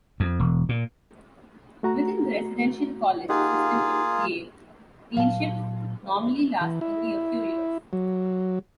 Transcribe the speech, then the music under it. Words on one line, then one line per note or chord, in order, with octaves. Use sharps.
Within the Residential College system at Yale, deanships normally last only a few years.
F2
E1
A#2
A3 F#4 A#5
A#3 D#4 F4 G4 G#4 F#5
A#2 F#3 F5 A5
E3
E4
F#3